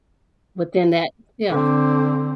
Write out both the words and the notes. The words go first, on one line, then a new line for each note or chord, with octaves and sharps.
within that Yeah,
D3 C4